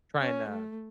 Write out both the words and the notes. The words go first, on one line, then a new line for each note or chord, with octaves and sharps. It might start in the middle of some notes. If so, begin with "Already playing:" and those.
trying to
C#4
A3